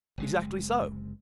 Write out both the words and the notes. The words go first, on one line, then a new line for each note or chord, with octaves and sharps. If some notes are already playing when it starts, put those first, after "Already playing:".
"Exactly so."
F#1 C3 G#3